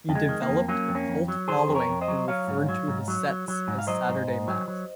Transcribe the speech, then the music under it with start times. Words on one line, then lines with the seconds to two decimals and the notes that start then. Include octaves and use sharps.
He developed a cult following who referred to his sets as "Saturday Mass".
0.09 F2
0.15 G#3
0.29 D#3
0.42 A#3
0.49 F2
0.68 F#3 A#3 C#4
0.89 F2
0.95 A#3 C#4
1.09 F2
1.28 F#3
1.48 D#3 G#4 C5
1.68 F2
1.75 A#4 C#5
1.88 F2
2.01 C5 D#5
2.08 F#3
2.28 F#3 C#5 F5
2.48 G#2
2.69 F#3
2.88 G#2
3.08 F#3
3.28 F#3
3.48 F#3
3.68 G#2
3.79 F5
3.87 F#3 C5 D#5
4.08 G#2
4.28 G#2
4.48 F#3
4.68 F#3